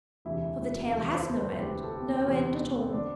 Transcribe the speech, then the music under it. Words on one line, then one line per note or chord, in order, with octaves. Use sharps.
For the tale has no end, no end at all.
E1 D2 C3 E3 E4
E4
E4
F#4
E1 D2 C3 E3 A4
B4
C5
B4
E1 D2 C3 E3 G4
A4
G4
C4
E1 D2 C3 E3 B3
C4
C4
D3 F#3 D4